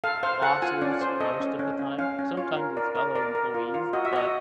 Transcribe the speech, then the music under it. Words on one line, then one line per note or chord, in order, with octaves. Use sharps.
b bosses most of the time. Sometimes it's fellow employees. But,
A4 F5
C5 F5
A4 F#5
F4 G#5
C#4 D5
C5
A4 D#5
C#4
C#4
C#4
C#4 F5
C#4
F4 C#5
A#4
A#4 D5
A#4
A#4 D5
A#4
F4
F4
F#4 D#5
E5
F#4 D#5